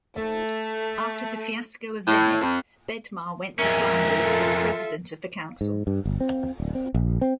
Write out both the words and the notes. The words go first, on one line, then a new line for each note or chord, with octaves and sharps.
After the fiasco of Venice, Bedmar went to Flanders as president of the council.
A3
A2
F2
F2 G#3 C#4 A#4 E5
F4 A4
G#2
G2
G1
C4
D1
C4
A#1
C4